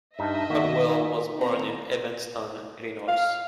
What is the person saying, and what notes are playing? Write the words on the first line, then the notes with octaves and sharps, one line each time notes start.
Podewell was born in Evanston, Illinois.
G2 D#4 D#5 E5 A5
D#3 A#3 F#4
B3 C4 A#5
F5